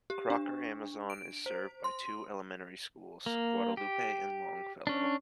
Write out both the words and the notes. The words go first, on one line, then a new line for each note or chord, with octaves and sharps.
Crocker-Amazon is served by two elementary schools, Guadalupe and Longfellow.
G4
D4
D7
C5
C6
A#3
G4
C#4 D4